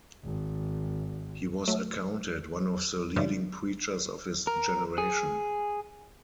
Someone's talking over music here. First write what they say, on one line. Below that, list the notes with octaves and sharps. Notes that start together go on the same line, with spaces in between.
He was accounted one of the leading preachers of his generation.
G#1
F#3 A3
F#2 C#3 E3 G3 G#3
A#4
G#4